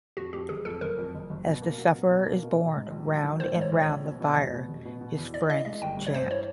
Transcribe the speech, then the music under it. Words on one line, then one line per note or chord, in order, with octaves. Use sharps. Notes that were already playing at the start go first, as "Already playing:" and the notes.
As the sufferer is borne round and round the fire, his friends chant.
F2 F#4
F2 G4
F#1 G#4
F2 A4
F#1 A#4
F2
F#1
F#1
B2
A#3
F#3
B2
B2
A#3
B2
B2
G#2
A#1
F#3
D#3
A#1 C5
G#2
C#5
A#1
C#5
A#1
B2
B2
F1
B2
F1
B2
B2
E2
E3 D5
E3 D#5
G#3 D#5
G1 G5
G2
C#5
G2 C5
E3 C#5